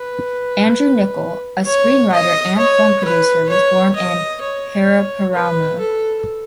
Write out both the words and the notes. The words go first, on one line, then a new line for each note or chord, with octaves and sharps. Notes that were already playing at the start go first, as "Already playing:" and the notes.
Andrew Niccol, a screenwriter and film producer, was born in Paraparaumu.
Already playing: B4
C#5
D#5
C#5
B4
C#5
D#5
C#5
B4
A4